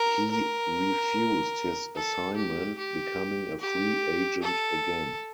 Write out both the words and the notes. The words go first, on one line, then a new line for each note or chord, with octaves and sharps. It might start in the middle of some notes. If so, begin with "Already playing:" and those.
He refused his assignment, becoming a free agent again.
Already playing: A#4
A#4
A4
G4
G4
G4
A4